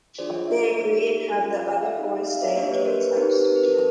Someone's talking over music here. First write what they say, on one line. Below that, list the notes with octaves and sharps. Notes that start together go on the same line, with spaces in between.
They agree and have the other boys stay at Kenny's house.
D4 F4 G#4 C5 D5
C#5 D#5
D5 E5
A#3 D#4 G4
C#4 F4 G#4
D#5 F5
E5 F#5
C4 D#4 G4
D#5 F5
D5 E5
A#3 D4 G4 C#5 D#5
B4 C#5
A#4 C5
B4
C4 D#4 G4 A#4 C5
B4
A#4
B4
A#4
A4 B4